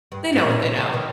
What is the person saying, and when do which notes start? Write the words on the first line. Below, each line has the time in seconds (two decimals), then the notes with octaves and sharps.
they know what they know,
0.12 G2
0.33 G#2
0.44 B2
0.48 A#2
0.62 B2
0.77 C#3
0.93 B2 D#3